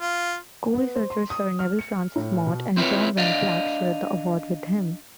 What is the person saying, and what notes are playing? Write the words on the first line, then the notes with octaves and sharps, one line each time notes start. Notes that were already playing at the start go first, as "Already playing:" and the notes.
Co-researchers Sir Nevill Francis Mott and John van Vleck shared the award with him.
F4
B3
C5
C6
D#6
F6
C#7
A2
B2
C4 E4 F4 B4 C#5
D4 D5 D#5 F5